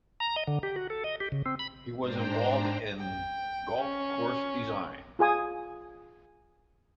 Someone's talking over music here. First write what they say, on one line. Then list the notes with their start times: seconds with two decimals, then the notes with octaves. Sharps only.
He was involved in golf course design.
0.20 A#5
0.36 D#5
0.47 D3
0.63 G4
0.76 F#4
0.90 A4
1.04 D#5
1.20 G4
1.32 C#3
1.46 C4
1.59 B5
2.00 G#2 D4 C5 G5 A#5
2.99 G5
3.81 C#4
5.19 F4 G#4 G#5 D#6